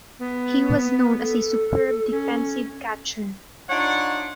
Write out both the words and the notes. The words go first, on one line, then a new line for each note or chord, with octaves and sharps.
He was known as a superb defensive catcher.
B3
A4
C#4
D4 D#4 F4 C#5 F#5